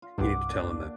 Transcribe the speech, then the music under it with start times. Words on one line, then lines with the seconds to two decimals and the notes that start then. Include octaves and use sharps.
You need to tell him that
0.02 F4
0.18 C2 G2 F#5 D6
0.49 A#2 D4